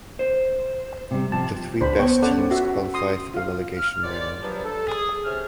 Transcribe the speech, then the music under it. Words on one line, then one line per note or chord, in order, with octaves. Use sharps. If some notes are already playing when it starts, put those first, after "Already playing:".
The three best teams qualified for the relegation round.
C5
C3 G3
C3 F3 A5
C#2 D4 C5 B5
B3 C5 C#5 G5 C#6
C#4 A4 D5 F#5
F#4 E5
C6 D#6
F4 F5
F6
D#2 G#2 F4 C#5 D5
G2 F3 F#3
A4
G#4
C3 C#4 A4 C5 F6